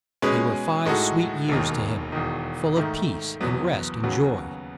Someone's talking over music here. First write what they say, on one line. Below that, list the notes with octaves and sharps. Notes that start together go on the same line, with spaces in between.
They were five sweet years to him; full of peace, and rest, and joy.
B2 G#3 C#4 G#4 B4
A2 G#3 D#4 F#4 A4
E1 D#2 D#3
E1 E2 D#3
G#2 D#3 A3
F#1 E2 B2 F#3 B3
D#2 C#3 F#3 B3 F#4